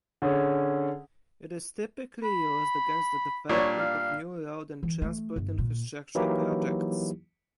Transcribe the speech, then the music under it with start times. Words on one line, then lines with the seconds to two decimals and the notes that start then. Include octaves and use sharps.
It is typically used against the development of new road and transport infrastructure projects.
0.22 D3 C#4 G#4
2.24 B5
3.50 A#2 G3 D4 C#5
3.79 F5
4.83 E3
5.02 A3
5.36 G1
5.58 A#2
6.15 E3 F#3 A#3 D#4 E4 G4